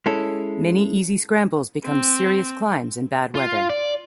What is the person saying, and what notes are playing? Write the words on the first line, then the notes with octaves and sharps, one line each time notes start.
Many easy scrambles become serious climbs in bad weather.
G#3 C#4 E4 A4
C4
F4
D5